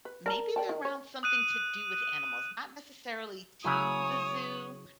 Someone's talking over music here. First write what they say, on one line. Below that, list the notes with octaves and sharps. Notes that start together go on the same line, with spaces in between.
maybe they're around something to do with animals, not necessarily to the zoo,
B4
A#4 D5 A5
D5 G5 A5
D#3
C#5
D#6 F#6 D#7
C#3 F#3 E4 C#5 D#6